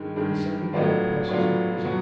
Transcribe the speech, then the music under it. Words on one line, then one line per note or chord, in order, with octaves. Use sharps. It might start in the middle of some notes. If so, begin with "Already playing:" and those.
The second act passes in prison.
Already playing: G2 D#3 G#3
G2 D#3 G#3
A2 F#3 B3 D4 F4
A2 F#3 B3 D4 F4
B2 F#3 B3